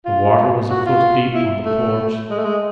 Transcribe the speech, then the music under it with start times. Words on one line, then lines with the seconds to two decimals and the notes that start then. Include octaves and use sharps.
The water was a foot deep on the porch.
0.05 F4
0.70 F#4
0.86 F4
1.34 E4
1.65 A3
2.30 G#3
2.39 A3
2.45 G#3